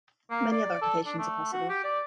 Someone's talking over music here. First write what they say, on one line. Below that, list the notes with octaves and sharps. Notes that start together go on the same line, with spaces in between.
Many other applications are possible.
A#3
D5
A4
D4
A3
F#4
G4
D5